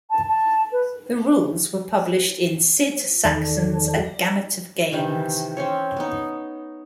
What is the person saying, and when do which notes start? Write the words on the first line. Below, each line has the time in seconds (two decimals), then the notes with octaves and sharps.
The rules were published in Sid Sackson's "A Gamut of Games".
0.10 A5
0.28 A5
0.72 B4
3.24 E2 D#3 A4 D5
4.92 C3 D#3 E3
5.57 C4 C#4 C#5
5.96 B3 D#4